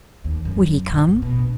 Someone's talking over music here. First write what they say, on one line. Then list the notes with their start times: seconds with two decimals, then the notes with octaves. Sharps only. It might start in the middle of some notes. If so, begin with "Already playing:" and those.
Would he come?
0.24 D#2
0.45 F#2
0.88 A#1
1.08 A2
1.22 B2
1.39 D4